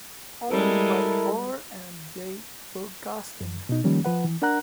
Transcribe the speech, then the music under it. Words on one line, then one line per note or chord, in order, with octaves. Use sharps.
Owned by R and J Broadcasting.
G3 G#3 E4 A4 A#4
F#2
B2 D#4
D#3 F3 G3 A#3 C#4
F3 B4 F#5
E3
D4 A#4 F#5 A#5 F#6